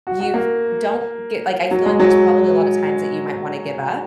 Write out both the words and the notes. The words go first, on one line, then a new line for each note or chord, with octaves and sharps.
you don't get like, I feel like there's probably a lot of times that you might wanna give up
F#4
F#4
A#3
F#3
G#3
F#3